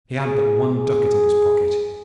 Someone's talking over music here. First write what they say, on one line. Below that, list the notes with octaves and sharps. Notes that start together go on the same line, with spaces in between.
He had but one ducat in his pocket.
G#4
G#4